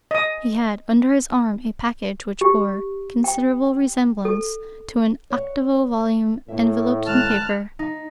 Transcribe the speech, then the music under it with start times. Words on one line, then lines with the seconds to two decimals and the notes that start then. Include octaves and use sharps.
He had under his arm, a package which bore considerable resemblance to an octavo volume enveloped in paper.
0.11 D#5 D#6
2.41 G4
3.24 G5
4.25 A4
5.30 C#5 F#5
6.48 A2 A#3 E4 E5
7.07 D#3 G#3 A5 F6 F#6
7.79 D#4